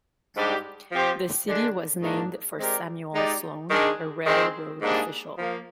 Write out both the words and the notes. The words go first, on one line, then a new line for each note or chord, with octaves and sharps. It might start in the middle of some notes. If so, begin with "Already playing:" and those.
The city was named for Samuel Sloan, a railroad official.
G#2 G3 D4 G4
F3 C4 G4 C5
D3 G#3 D4
G#2 D#3 A#3 D4
G#3 C4 G4 A#4 D5
G#3 D#4 G4 D5
D#3 G#3 D4 G#4
D#3 G#3 C4
G#2 G3 A#3 D4 G#4
F3 A#3